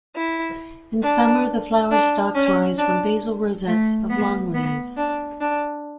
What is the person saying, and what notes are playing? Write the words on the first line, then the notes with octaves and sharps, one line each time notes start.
In summer the flower stalks rise from basal rosettes of long leaves.
E4
D4
D4
C#4
D4
A3
B3
B3
D4
D4